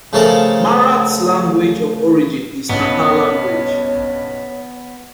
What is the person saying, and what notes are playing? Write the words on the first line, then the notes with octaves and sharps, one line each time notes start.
Marat's language of origin is Tatar language.
C#3 F3 A3 A4 A#4 A5
B1 G2 C#3 B3 C#5